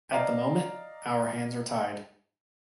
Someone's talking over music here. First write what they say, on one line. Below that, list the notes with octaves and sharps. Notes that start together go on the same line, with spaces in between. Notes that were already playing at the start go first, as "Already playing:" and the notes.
At the moment, our hands are tied.
D5 D#5 F5 A#5